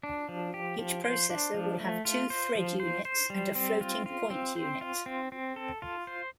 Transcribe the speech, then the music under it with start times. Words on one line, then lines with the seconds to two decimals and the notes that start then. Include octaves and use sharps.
Each processor will have two thread units and a floating point unit.
0.03 D4
0.29 F3
0.54 G4
0.79 F3
1.04 C5
1.30 D4
1.54 F3
1.80 A3
2.05 F4
2.30 C5
2.55 F3
2.80 C5
3.05 C5
3.30 G3
3.55 C4
3.81 F4
4.06 F4
4.30 C4
4.56 C5
4.81 F4
5.06 C4
5.32 C4
5.56 A4
5.82 F4
6.07 C5